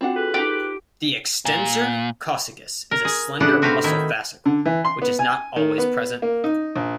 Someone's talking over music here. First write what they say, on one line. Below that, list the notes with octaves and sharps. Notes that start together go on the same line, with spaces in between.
The extensor coccygis is a slender muscle fascicle, which is not always present.
C4 D4 F4 F#4 F#5
G#4 A4 B4
D#4 F4 G4
A#2
A#4
G#4
A2 C#3 B3 D4 F#5
A3 C4 F#4 B4 C5 F5
D#3 E4 E5
D3
E3
C6
B3
G#5
D#3
B3
A#3
D#4
A#1